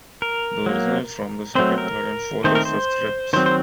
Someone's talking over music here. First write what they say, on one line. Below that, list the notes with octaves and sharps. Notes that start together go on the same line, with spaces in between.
The origin is from the second, third and fourth or fifth ribs.
A#4
F#3 A#3
F#3 A3 C4 C5
A#4
D#3 A3 C4 C5
A#4
C5
D#3 F#3 C4 C5
C5